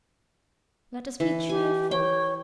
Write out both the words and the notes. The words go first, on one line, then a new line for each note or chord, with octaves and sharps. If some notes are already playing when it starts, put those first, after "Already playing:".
Let us be cheerful.
E3
G4 G#5
C#5 G5